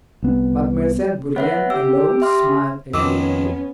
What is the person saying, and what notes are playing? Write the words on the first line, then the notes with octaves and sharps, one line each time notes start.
Mademoiselle Bourienne alone smiled agreeably.
C2 B3
B3 C#5 E5 F#5
G4 E6
E5 C6 F6
F2 D#3 F3 B3 C#4 D6 E6